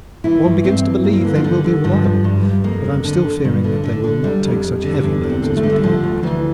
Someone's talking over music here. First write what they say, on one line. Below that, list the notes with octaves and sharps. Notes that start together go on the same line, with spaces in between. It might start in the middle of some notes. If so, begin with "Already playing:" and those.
One begins to believe they will be reliable, but I am still fearing that they will not take such heavy loads as we hoped.
E3 E4
G2
G2 C4
E3
G2 A#3
C4
D3 A#3
F3
D3 G3
D3
G2 F3
G2
G2 G3
G2
F2 A#3
D3
D3
D3
G2
D3
D3
D3
D3 G3
F2
F2
D3
E2
D3
C4
D3 A#3
A3
D3
G3
D3 F3
D2
D2 E3